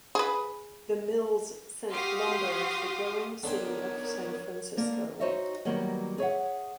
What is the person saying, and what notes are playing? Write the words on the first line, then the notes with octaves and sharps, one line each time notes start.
The mills sent lumber to the growing city of San Francisco.
G#4 B4
F#4 G4 F5 C6 D#6
D3 B3 D4 D#4 A#4 C5 C#5 G5
D3 A#3 D5
D#4 F#4 C5 C#5 D#5 E5
D#3 F#3 G3 A#3 B3
G#4 C#5 E5 F#5